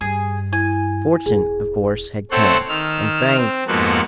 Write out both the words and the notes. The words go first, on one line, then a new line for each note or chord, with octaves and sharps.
Fortune, of course, had come, and fame.
G2 G#4
E4 G#5
E1 G#4
A3 C4 A4 C5 C#5 F#5
D#3 E6 F6
C4
F2 G#2 A#3 B3 F#4 A4